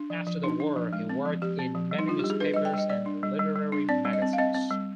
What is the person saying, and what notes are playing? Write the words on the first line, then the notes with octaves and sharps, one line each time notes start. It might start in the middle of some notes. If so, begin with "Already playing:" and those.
After the war he worked in many newspapers and literary magazines.
Already playing: D4
F3
F3
D4 D#4
D4
F3
G#3
C4
F3
F3 G4
C4
F3
G3
D#4
D4 F4
G3 G4
G#4
D4 B4
G3 D#5
G5
G3 D#5
G3 D5
D4
G3
G3
G3
D4
C4 D5
G3
D#5
C4
F5
C4 D#5
C4
G3